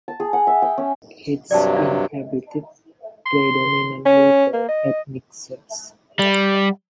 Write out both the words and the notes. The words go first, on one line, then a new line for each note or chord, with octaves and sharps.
It is inhabited predominantly by ethnic Serbs.
A5
G#4
F#5
E5
G5
C#4
G2 C3 F#3 D5 G5 A5
D4 F5
C6
C#4
A#3
D#5
G3